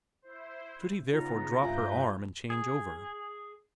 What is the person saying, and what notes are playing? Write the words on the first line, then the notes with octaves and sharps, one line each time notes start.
Should he therefore drop her arm and change over?
E4 C5
C#3 B3 D#4 F4 A#5
G2 F4 B4 E5 F5 G#5 G6
G#4